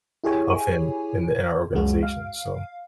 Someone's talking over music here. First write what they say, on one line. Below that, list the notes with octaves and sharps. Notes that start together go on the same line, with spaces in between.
of him in the in our organization, so
E4 G4 G#4 C#5 G#5
C#2 F#2 G#3 F#4
F5